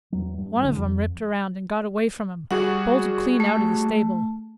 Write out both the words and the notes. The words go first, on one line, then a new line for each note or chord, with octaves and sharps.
One of 'em ripped around and got away from him--bolted clean out of the stable.
E2 F#3
G2
F#1 C2 D3 D4
F2
G3 F#4 G#4 F#5
A3